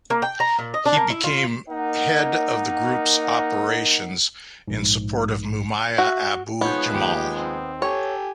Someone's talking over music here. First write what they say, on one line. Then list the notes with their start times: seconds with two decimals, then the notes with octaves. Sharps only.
He became head of the group's operationsin support of Mumia Abu-Jamal.
0.10 A#3
0.22 G5
0.40 A#5
0.59 A#2
0.74 D#5
0.85 D4
0.97 A#3
1.10 E4
1.24 F4
1.69 A#3 D#4 A#4 D#5 F#5
4.68 A#1 G#2
5.98 F#4 E5
6.61 F3 G#3 B3 D#4 C#5 G6
6.94 D#2 G4
7.35 C4
7.82 G4 A4 C#5 G#5